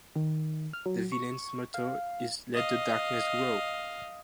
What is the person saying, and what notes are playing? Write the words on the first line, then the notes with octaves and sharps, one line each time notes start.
The villains' motto is Let the darkness grow!
D#3
F6
F#3
C#6
F5
D#5 F5